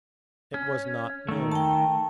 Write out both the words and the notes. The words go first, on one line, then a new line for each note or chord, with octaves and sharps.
It was not known.
C#4
D#3 A3
G5 A5